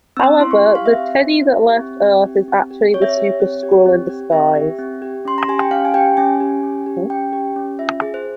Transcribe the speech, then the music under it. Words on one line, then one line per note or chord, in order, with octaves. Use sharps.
However, the "Teddy" that left Earth is actually the Super-Skrull in disguise.
C4 E6
E4 C6
C#6
G4
F5
C4 E5
C4
E4
G4
C4
C4
G4
C4
G4
C4 C#5
E5
C#5
G4
C4
G4
C4
G4
C4 E5
G4
C4
G4
C#4 C6
A#5
G4 G#5
G5
C#4 F5
G#5
G4 G5
C#4 G#5
G4
C#4
G4
C#4 G5
G4
C#4
F4 E5
G#4
C5